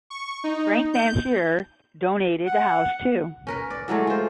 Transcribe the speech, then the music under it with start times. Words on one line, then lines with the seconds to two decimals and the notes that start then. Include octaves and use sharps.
Frank Mansur donated the house to.
0.10 C#6
0.44 D#4
0.93 G6
2.46 F#5
3.47 C#4 A#4 B4
3.70 D5
3.88 E3 F#3 G#3 A3
4.07 F4 C5